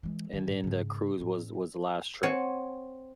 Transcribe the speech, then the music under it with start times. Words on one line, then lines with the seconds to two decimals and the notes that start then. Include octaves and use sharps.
And then the cruise was was the last trip.
0.03 E3 G#3
0.33 D3 D#3
0.48 G#2
0.64 G#2 C#3
1.19 A2 C#4
2.23 C4 C#5 F#5 G#5